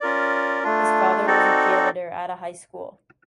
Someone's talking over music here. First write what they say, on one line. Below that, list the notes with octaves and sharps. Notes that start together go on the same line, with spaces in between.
His father was a janitor at a high school.
C#4 F4 A#4 D5
A3 D4 F4
C4 D#4 F#4 A4 D5